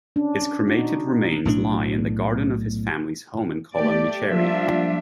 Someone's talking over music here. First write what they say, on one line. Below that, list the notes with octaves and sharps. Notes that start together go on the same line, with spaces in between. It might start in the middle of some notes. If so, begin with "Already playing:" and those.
His cremated remains lie in the garden of his family's home in Colla Micheri.
C#4 D4
D#4 F#4
B1 A2 E3 D4
A3 G4 D5
F3 G3 A#3 D4 F4 E5